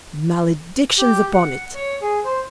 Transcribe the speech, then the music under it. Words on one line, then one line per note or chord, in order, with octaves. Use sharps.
Maledictions upon it!
G4
F#5
C#5
G#4
C5